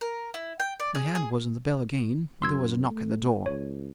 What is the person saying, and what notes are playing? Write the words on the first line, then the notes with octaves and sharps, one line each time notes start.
My hand was on the bell again, when there was a knock at the door.
A#4
E4
G5
D5
G#4
G#4
F#2 C6 E6 G#6
A3
C#2 C#5